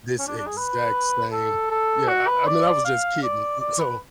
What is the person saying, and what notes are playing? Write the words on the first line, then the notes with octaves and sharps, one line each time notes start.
this exact same" yeah, I I mean, I was just kidding. So
C#4
D4
D4
G#4
B4
A4
A4
F#4
B4
D5
F5
D5
D5
B4